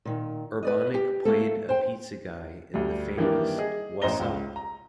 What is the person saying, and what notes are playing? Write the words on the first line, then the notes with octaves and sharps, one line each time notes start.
Urbaniak played a pizza guy in the famous Whassup?
A#2 D#3
B4 D5 D#5
G4
A3 A#3 A4
C5 G5
D2 G3
D#3 E3 G3 A#3 D4
G#4 D#5
A1 C5 D#5 A#5 A#6 G7
C#2
A#5